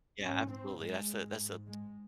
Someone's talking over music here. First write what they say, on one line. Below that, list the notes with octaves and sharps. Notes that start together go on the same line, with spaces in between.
Yeah, absolutely that's a that's a
G#2 C#4
C4
G#2 G#3
G#2
G#3